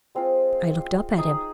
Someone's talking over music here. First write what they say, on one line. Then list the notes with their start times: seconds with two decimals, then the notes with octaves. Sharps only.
I looked up at him.
0.15 G#3 C4 F4
1.18 D#4 G#4 D#5